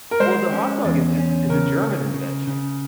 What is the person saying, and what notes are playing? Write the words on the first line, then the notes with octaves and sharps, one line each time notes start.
Well, the hot dog is just a is a German invention.
A#4
G#3 C5
C#4
E2
C#4
C#3 A#4
C#3
C#3
C#3